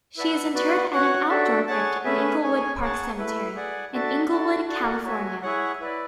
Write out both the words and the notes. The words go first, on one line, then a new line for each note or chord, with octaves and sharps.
She is interred in an outdoor crypt at Inglewood Park Cemetery in Inglewood, California.
E4 B4 D5 F#5 A5
B3 F#4 B4 D5
F#4 C#5 F#5
D4 F#4 A4 E5
G#4 C#5 F#5 A5
A3 C#4 G#4 B4 E5
G#4 C#5 G#5
G#4 C#5 F#5 A5
A3 E4 B4
G#4 D5 F#5
D4 F#4 A4 E5 A5
F#4 A4 D5 A5
F#4 A4 D5 F#5
F#4 C#5 E5 G#5
E4 G#4 C#5 F#5
E4 B4 D5